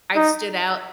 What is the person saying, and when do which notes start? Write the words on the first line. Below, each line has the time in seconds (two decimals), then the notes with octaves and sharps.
I've stood out.
0.16 D#4